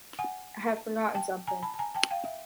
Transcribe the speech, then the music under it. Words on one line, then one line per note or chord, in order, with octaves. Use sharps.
I have forgotten something.
F#5 G#5
G5 A5
G#5 A#5
A5 B5
A5
G#5 A#5
G5 A5
F5 G5
E5